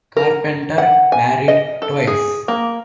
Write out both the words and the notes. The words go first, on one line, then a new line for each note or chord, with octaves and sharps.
Carpenter married twice.
A#4
F#5
G#5
D#5
A4
G#4
A#3